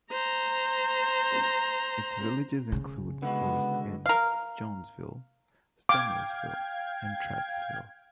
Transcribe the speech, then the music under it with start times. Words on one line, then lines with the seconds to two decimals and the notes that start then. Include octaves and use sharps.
Its villages include Forest Inn, Jonesville, Stemlersville, and Trachsville.
0.12 C5 A#5
2.72 C#3
3.23 D3 G#3 B3 F#4
4.06 A#4 F5
5.89 F5 G5 D6 G#6